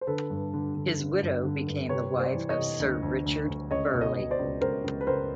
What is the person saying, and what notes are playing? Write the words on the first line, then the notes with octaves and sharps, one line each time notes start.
His widow became the wife of Sir Richard Burley.
C5
D3 A4 B4
G2
D3
D3
D3
G2
D3
G2
C3 B4 C#5
C3
C5 D5
E3
C#5 D#5
C3
D2
D2
D2
D2
C#2 C#5 D#5
B2
C#5 D#5
B2
C5 D5
C#2
C#2 A#4 C5
C#2
B4
C#2 A#4 C5